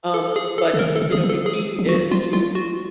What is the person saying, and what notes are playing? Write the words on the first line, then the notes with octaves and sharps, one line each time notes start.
um, but, the you know, the key is to
A4
G#4
A4
D3
D#3 A#4
A4
D3
E3 G#4
F3
A4
G#4
F3
E3 F#4
F3
F#3 F4
F#3 F4
F#4